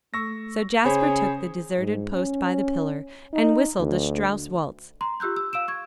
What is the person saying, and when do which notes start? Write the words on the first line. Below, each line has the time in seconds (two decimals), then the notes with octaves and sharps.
So Jasper took the deserted post by the pillar, and whistled a Strauss waltz.
0.14 A3 C#6 E6 A#6
0.85 C#3 G#4 C5 C#5 B5
1.78 G#2
2.13 C#4
3.33 D#4
3.80 D2
5.01 A#5 C6
5.20 F4 G4 E6 F#6 G6
5.36 E6
5.53 F5 E6 D7 E7
5.68 C#6 G#6